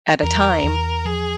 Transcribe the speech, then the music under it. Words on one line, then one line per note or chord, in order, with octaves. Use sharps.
at a time,
E2 A#4
E2
F3 G#4